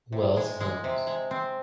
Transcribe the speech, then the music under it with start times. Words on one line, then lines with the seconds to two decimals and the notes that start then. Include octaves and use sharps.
Wells Homes.
0.12 C3
0.37 G#3
0.61 G#3
0.84 C3
1.07 G#3
1.31 C4